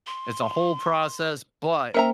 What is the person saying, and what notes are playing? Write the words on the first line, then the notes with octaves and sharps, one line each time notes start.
It's a whole process. But,
C6
A#3 C#4 A#4 C5 E5 G5 A#5